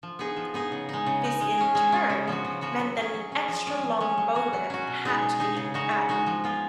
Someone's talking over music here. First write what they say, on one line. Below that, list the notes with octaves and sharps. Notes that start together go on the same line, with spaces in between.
This in turn meant that an extra long bow ramp had to be added.
F3
B3 D#4 G#4
F3
B3 D#4 G#4
C#3
G#3 D#4
C#3
G#3 D#4
G#3
C#4 G#4
G#3
C#4 G#4
C#3
F3 B3 F#4
C#3
F3 B3 F#4
F#3
C#4 G#4
F#3
C#4 G#4
F3
G#3 C#4
F3
G#3 C#4
F#3
C#4 F#4
F#3
C#4 F#4
B2
G#3 D#4 G#4
B2
G#3 D#4 G#4
C#3
G#3 D#4 F#4
C#3
G#3 D#4 F#4
F3
B3 F4 G#4